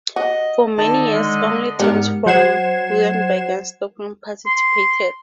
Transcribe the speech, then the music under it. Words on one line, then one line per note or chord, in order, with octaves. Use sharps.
For many years only teams from Gothenburg and Stockholm participated.
F#4 D#5
D3 D#3 D#5 A5
G#3
G#2 G3 B3 D4 A#4 F6 C#7
F#3 C5 F#5 G#6 C7 E7
C6